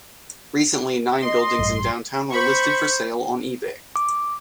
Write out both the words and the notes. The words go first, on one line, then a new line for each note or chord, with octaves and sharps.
Recently, nine buildings in downtown were listed for sale on eBay.
D#5 C6
A1 G2
C5 B5 C#6
D6